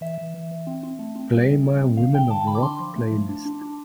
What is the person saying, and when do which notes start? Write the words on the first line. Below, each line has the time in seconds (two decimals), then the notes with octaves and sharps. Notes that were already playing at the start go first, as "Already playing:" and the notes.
Play my Women of Rock playlist.
0.01 E3 E5
0.18 E3
0.34 E3
0.51 E3
0.67 C4
0.83 C4
0.99 A3
1.15 C4
1.32 G3
1.49 G3
1.64 G3
1.81 C4
1.97 D3 F5
2.14 D3 G5
2.30 D3 A5
2.47 D3 B5
2.55 D6
2.62 D4 C6
2.80 F3
2.96 A3
3.11 F3
3.29 D4
3.45 D4
3.62 D4